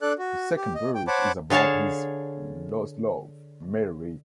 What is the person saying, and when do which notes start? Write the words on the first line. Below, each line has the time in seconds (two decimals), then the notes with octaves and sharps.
The second verse is about his lost love, Mary.
0.02 D4 A4 D5 F#6
0.19 F#4
0.57 G4
0.75 D#5
0.95 G5
1.07 C5 C#5 F#5 A5 B5 D6
1.50 D3 G#4 C#5 F5 A5